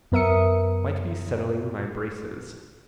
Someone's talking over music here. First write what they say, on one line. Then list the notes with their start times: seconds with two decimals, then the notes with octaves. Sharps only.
Might be settling my braces.
0.12 F#2 B3 A#4 E5 D#6 C#7